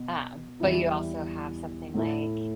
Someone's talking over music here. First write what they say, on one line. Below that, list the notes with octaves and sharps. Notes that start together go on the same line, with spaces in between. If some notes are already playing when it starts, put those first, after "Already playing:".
um, but you also have something like
Already playing: B2 B3
E2 E3 G3 B3 E4
A2 A3 E4 A4